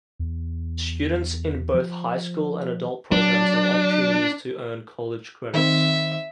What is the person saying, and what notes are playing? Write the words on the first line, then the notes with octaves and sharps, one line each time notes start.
Students in both high school and adult programs have opportunities to earn college credits.
E2
F3
F#3 D4
D#3 C4 E5